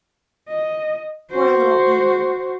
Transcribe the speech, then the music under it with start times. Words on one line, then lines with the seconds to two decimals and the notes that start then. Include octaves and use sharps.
Poor little Amy!
0.48 D#5
1.30 F#4 C5